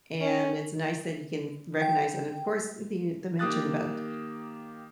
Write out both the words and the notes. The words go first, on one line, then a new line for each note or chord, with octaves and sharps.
and it's nice that you can recognize and, of course the the mention about,
C#4
G5
D#3 A#3 G4 D#6 F#6 A6